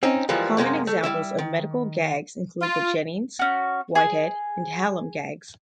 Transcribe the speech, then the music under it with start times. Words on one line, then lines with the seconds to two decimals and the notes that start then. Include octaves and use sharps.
Common examples of medical gags include the Jennings, Whitehead, and Hallam gags.
0.03 C4 C#4 D#4
0.29 E3 F3 G3 G#3 A#3
0.57 F#2 C3 G#3 A#3
0.87 A3
1.03 G3 E4 E5
1.38 D#3
2.62 F4
3.39 C#4 F#4
3.95 G#4